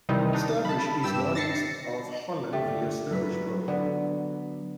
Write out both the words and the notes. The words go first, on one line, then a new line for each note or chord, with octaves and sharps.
Sturbridge is northeast of Holland via Sturbridge Road.
C3 D#3 E3 G3 C4 D#4
D4 D#4
A5 B5
G2 G4 E6 E7
A6 A#6 C7 C#7
A3 G4 A4
D3 F4
F#3 B4
D3 B3